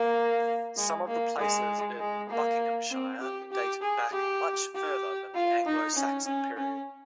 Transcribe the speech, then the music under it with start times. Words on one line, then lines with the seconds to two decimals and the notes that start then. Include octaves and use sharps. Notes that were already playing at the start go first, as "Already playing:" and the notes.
Some of the places in Buckinghamshire date back much further than the Anglo-Saxon period.
Already playing: A#3
0.77 G#3
1.07 A#3
1.37 G#3
1.99 G#3
2.29 A#3
2.91 C4
3.21 G4
3.52 G4
3.82 G#4
4.12 G4
4.74 G4
5.34 F4
5.66 D#4
5.95 C#4
6.26 C#4
6.57 C#4